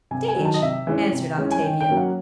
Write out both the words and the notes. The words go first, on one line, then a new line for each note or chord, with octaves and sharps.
"Stage," answered Octavia.
C3 G#5
G#5
D#3 F#3
A5
D#5
C3 E5
E3 G#3 C#4
C3
E3 G#3 C#4
G#5
D#3 G5
G5
F#3 A#3 C#4
F#5